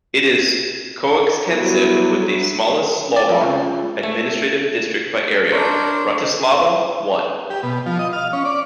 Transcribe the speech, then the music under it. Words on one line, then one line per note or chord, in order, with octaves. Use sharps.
It is coextensive with the smallest Slovak administrative district by area, Bratislava I.
F#3 G3 B3 E4
D5
F2
C#2
A3
D4 A#4 C5 C#5
G4
B2
F3
D#5
F5
C#4
D5